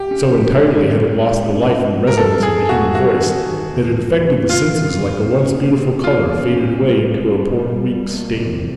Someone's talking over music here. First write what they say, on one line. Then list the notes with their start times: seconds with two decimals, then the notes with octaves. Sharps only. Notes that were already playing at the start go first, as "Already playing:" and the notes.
So entirely had it lost the life and resonance of the human voice, that it affected the senses like a once beautiful colour faded away into a poor weak stain.
Already playing: G4
0.11 C#4
0.37 F3
0.63 C#4
0.89 A2
1.14 G#3
1.40 C#4
1.66 G#3
1.92 F3
2.07 A#4
2.18 E2 A4
2.43 E2 G#4
2.69 E2 F#4
2.95 D#3 F#4
3.20 D#3
3.46 D#3
3.72 E2
3.98 E2
4.24 C3
4.49 C3 F4
4.75 C3
5.01 E2
5.26 C#4
5.52 A#3
5.79 C#4
6.04 A#3 F4
6.30 C#4
6.56 C#4
6.81 G3
7.07 C#4
7.33 G3
7.59 G3
7.84 G3
8.10 A#3
8.35 C3